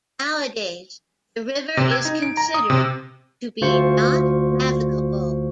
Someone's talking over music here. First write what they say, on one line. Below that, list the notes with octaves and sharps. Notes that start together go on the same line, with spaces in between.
Nowadays the river is considered to be not navigable.
C3
G#6
D#4
D7
A#5
D#6
C3
D2 F4 C5 C#6